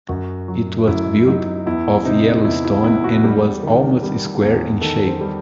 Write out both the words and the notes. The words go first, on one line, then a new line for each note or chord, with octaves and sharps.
It was built of yellow stone, and was almost square in shape.
F#2 F#4
F#3
F#2 E4
F#3 D#4
E2 E4
C3 D#4
E2 E4
E4
E2 E4
F#4
G3
D#3
G3
E2
D#3 A4
C5
G3